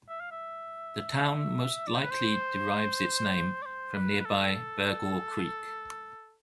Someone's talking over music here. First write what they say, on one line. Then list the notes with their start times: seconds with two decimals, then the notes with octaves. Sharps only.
The town most likely derives its name from nearby Burgaw Creek.
0.09 E5
0.20 F5
0.31 E5
1.87 D5
1.95 C5
2.03 B4
2.11 C5
3.62 D5
3.66 C5
3.95 B4
4.20 B4
4.25 A4